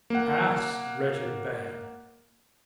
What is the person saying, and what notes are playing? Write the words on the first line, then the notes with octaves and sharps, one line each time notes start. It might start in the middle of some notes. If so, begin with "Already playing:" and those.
Pass, wretched band!
A#3 F#5